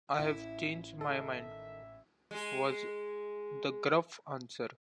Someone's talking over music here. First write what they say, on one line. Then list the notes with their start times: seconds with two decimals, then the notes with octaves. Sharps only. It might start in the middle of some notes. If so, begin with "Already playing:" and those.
"I've changed my mind," was the gruff answer.
0.19 A1 E4
1.01 D#3 A4 D#5 E5
2.31 G#3 G#4